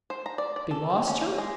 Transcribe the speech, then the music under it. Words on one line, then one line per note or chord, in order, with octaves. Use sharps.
"They lost her?"
C5
A#5
D5
D5
A4
C4
C#4
A#3
G#3